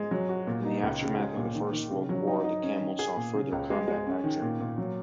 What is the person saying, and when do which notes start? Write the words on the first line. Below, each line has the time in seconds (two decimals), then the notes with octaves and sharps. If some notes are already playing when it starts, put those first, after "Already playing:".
In the aftermath of the First World War, the Camel saw further combat action.
Already playing: G#3
0.11 F#3
0.29 F#4
0.47 A#2
0.65 D#4
0.83 C#2
1.02 C#3
1.19 G#3
1.37 A#2
1.55 D#3
1.73 D#3
1.91 C#3
2.09 F#3
2.27 D#4
2.44 D#4
2.63 C#4
2.80 D#3
2.99 G#4
3.17 A#2
3.34 C#3
3.52 C#2
3.70 G#3
3.88 G#3
4.07 C#4
4.24 D#3
4.42 A#2
4.60 A#2
4.78 F#3